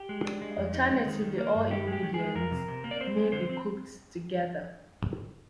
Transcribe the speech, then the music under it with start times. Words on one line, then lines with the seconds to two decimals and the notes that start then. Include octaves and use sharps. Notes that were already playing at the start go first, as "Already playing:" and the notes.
Alternately, all ingredients may be cooked together.
Already playing: G4
0.09 G#3
0.25 D4
0.42 G#3
0.57 F2
0.74 D#4
0.90 G#3
1.06 D#3
1.22 D#3
1.38 A#3
1.55 G2
1.71 D#3 G4
1.87 G#3
1.92 G4
2.03 D#3
2.14 G#4
2.19 G#3
2.35 F2 A#4
2.51 C3
2.68 C3
2.84 A#3
2.91 D5
3.01 C4 C5
3.16 G#3
3.32 D3 C5
3.49 C4